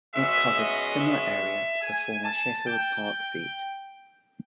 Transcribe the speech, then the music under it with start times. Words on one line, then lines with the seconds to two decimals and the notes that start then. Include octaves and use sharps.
It covers a similar area to the former Sheffield Park seat.
0.14 B2 G#3 C#4 E5
0.56 D#5
0.98 E5
1.82 G#5
2.24 A5
2.66 G5